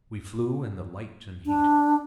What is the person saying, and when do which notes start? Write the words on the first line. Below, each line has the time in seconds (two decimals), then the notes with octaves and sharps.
We flew in the light and heat.
1.46 D4